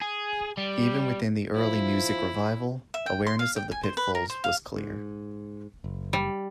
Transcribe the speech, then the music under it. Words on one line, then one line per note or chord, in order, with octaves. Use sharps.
Even within the early music revival, awareness of the pitfalls was clear.
G#4
G3
F3 E4
E5
G5
C6
F5
G5
G#5
C5
B4
A#4
C5
F5
G#2
F#1
G3